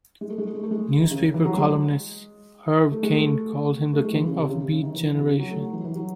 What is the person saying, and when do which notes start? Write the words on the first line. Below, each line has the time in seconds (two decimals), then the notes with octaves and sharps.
Newspaper columnist Herb Caen called him the king of the Beat Generation.
0.21 G#3
0.30 A3
0.38 G#3
0.46 A3
0.55 G#3
0.63 A3
0.71 G#3
1.01 D#3
1.11 C#3
1.34 E3
1.45 F#3
1.57 G#3
2.92 A3
3.03 G#3
3.14 A3
3.93 A3
4.04 G#3
4.15 E3
4.27 C#3
4.37 C3
4.49 C#3
4.60 C3
4.72 C#3
4.83 D#3
4.94 E3
5.06 E3
5.17 C3
5.28 C#3
5.39 F#3
5.51 A3
5.62 F#3
5.73 E3
5.84 E3
5.96 F#3